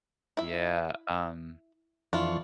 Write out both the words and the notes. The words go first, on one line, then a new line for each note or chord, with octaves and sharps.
Yeah, um
E4 E5
F2 E3 D4 E4 F4 C#6